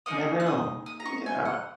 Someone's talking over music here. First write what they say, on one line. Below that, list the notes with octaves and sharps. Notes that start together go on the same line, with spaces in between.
You never know, yeah.
A#3 D#4 G#4 D#6
F#6
D#6
D#6
A#5
C#6
G#5
F#5